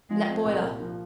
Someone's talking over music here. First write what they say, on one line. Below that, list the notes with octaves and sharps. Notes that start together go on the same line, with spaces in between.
Let boil up.
F3 G#3
C4
C2
A#2
F3